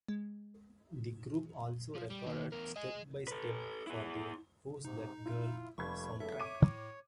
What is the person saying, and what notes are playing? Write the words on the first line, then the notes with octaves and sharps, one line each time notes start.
The group also recorded "Step by Step" for the "Who's That Girl" soundtrack.
G#3
F3
G3
D#3 A#3
E2 A#4
G#4 D#5
A4 B4
E4 G#4
G#2 C3 D#4
E4 F4
F1 G3 A3 A#3 B5 C#6 G#6
E2 G2 C#3 A4 E5
C#5 D6 D#7
A2